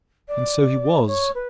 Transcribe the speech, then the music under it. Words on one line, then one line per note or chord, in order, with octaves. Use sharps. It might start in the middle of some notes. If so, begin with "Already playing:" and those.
And so he was.
D5
C#5
B4